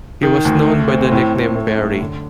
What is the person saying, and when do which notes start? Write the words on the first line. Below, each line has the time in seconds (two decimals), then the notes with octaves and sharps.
He was known by the nickname Berry.
0.23 D#3
0.45 D2
0.67 A3
0.89 C4
1.11 A2
1.34 A2
1.55 A3
1.77 F#2
2.00 D3